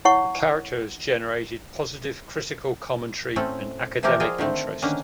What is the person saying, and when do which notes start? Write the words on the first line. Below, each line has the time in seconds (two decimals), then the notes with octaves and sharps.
The character has generated positive critical commentary and academic interest.
0.05 E4 C#5 F#5 C#6
3.36 A2 A3 C4 C#4 A4
4.03 E3 F3 A3 E4 G4 A#4
4.20 F4 G#4 D5 D#5 G5 A#5
4.38 D3 D#3 A3 C4
4.82 D3 D#3 A#3 C#4